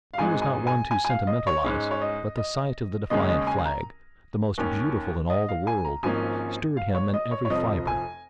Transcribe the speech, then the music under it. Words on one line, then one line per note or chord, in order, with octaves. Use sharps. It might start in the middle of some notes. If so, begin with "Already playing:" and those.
He was not one to sentimentalize, but the sight of the defiant flag, the most beautiful in all the world, stirred him in every fiber.
F5
G#1 G#2 G#3 G#5
G#5
G#5
G#5
G#5
F5
D#5
C#5
G#2 G#3 C#4
C#5
D#5
D#5
D#2 C#3 G#3 C#4 D#5
D#5
G#5
A#5
D#2 D#3 C#4
D#5
F5
G#5
A#5
G#1 G#2 F3 A#3 C#4 G#5
F5
C#5
D#5
C#5
C#5
F1 F2 F3 D#5
G#5